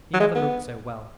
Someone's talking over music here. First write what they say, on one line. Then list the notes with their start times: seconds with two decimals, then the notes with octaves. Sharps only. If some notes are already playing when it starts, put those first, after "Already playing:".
He never looked so well.
0.14 F#3
0.20 G#3
0.35 B3